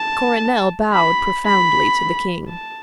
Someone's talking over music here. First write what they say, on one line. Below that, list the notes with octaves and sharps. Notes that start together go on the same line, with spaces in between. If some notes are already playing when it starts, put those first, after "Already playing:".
Coronel bowed profoundly to the King.
Already playing: A5
B5
B5
A5